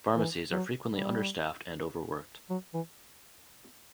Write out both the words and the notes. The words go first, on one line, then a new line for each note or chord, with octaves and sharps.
Pharmacies are frequently understaffed and overworked.
E3
F#3
G3
F#3
E3